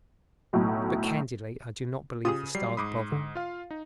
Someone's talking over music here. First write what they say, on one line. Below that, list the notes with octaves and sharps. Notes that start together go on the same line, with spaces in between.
But, candidly, I do not believe the stars bother.
B1 A2 F#3
C#3 F4 G4 G#4 D#6
F#3 G3 C7
G#2 B5 D6 D#6
D3
F4 F5
D#4